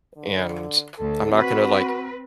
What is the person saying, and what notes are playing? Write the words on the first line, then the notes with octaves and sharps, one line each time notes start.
And I'm not gonna, like,
D3
D2 A4
C4 F#4 B4